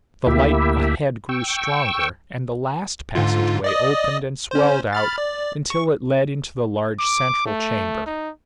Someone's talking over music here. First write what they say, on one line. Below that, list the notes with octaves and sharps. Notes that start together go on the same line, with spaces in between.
The light ahead grew stronger, and the last passageway opened and swelled out until it led into the large central chamber.
D2 A#3 E4 G4 E5
G5 C#6 E6
G#2 D3 F4
D5 D#5 D#6
C#4 C5
B5 F6 A6
D5
C#6
D6
A3
D#4